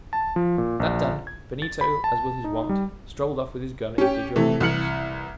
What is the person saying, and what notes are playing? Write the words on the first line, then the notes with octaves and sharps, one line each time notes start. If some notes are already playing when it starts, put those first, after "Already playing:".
That done, Benito, as was his wont, strolled off with his gun into the adjoining woods.
A5
F3
A#2
A#1
G#6
A6
B5
A5
D#4
G3
C#4 G4
C3 E3 A3
C2 E3 F6 C#7 F#7